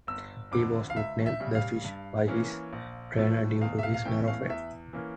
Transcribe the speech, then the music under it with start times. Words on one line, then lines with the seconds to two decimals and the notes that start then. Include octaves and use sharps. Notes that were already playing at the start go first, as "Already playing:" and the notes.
He was nicknamed "The Fish" by his trainer due to his narrow frame.
0.07 G1 E6
0.52 F2 D3 D6
0.90 F5
0.96 C#2 E5
1.26 E5
1.40 C#3 G3
1.55 F5
1.84 G2
2.28 E3 A#3 C#4
2.73 A#1
3.17 A2 F3 A3
3.61 E2 F5
3.79 E5
3.83 F5
3.94 F5
4.05 E3 A3 C#4 G5
4.28 F5
4.49 E2 E5
4.93 E3 A#3 C#4